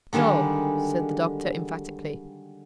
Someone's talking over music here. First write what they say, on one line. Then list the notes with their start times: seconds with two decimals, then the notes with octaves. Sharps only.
"No," said the doctor emphatically.
0.13 D3 D#3 G3 G#3